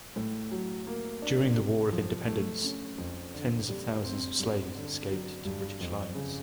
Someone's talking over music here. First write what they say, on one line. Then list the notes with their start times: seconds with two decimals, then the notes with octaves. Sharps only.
During the War of Independence, tens of thousands of slaves escaped to British lines.
0.16 A2
0.51 F#3
0.87 A#3
1.22 D4
1.57 C3
1.92 F3
2.28 A3
2.64 C#4
2.98 F2
3.34 D3
3.69 G3
4.05 C4
4.40 G2
4.75 D3
5.10 F#3
5.45 G2
5.81 F2
6.15 C#3